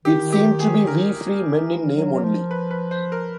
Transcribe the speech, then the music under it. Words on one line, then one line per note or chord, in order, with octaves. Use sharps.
It seemed to be "Wee Free Men" in name only.
D#3 G4
G4
G#4
A#4
E3
F#3
F#3
F3
B4
B4
C5
A#4